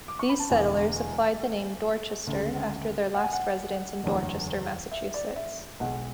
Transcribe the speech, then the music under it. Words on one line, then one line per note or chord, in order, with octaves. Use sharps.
These settlers applied the name "Dorchester" after their last residence in Dorchester, Massachusetts.
D6
C#6
B5
A5
E1 E2 D3 G#5
D2 C#3 G#3
F#5
G#5
F#5
F#1 E2 D3 F#3 A3
E5
D5
E5
B1 B2 G#3 F#5